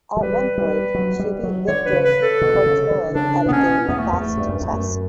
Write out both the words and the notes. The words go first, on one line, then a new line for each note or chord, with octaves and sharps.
At one point she beat Viktor Korchnoi at a game of fast chess.
F#3
G3 B4
G3
F#3
G3
F#3
D3 C#5
B4
C#3
B4
A4
B2
B2
C#3
D3
C#3 D4
A2 B3
B2 C#4
E2 B3
A3
E2
A3
G2
F#2
E2 A3
F#2